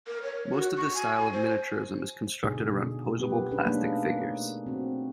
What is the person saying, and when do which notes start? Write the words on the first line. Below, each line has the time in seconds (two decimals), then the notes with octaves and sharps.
Most of this style of miniaturism is constructed around posable plastic figures.
0.07 A#4
0.23 C#5
0.51 F#4
0.77 C#6
0.94 G#5
1.33 C5
2.44 B2 D3 D#4 G#4
3.20 B3 G4 B4
3.51 B3 C#4 D4 G#4 B4
3.66 A3 A#3 D4 D#4
4.66 C4 F#4